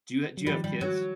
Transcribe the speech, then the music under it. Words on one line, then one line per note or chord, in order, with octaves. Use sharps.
do you do you have kids?
F#3
D#3 F3 G3
G3
F#3